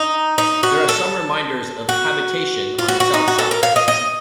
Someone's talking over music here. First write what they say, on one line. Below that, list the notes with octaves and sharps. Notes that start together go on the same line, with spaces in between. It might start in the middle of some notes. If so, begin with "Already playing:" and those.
There are some reminders of habitation on the south side.
Already playing: D#4
D#4
F#4
A4
F#4
F4
F#4
F#4
D#4
F#4
A4
A#4
F5
D#5
D#5